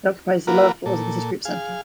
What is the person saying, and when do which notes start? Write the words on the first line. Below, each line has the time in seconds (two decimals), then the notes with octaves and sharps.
It occupies the lower floors of the Citigroup Center.
0.47 A#3 F4 F#4 A#4 B4
0.86 A#2 A4
1.45 G#4 F5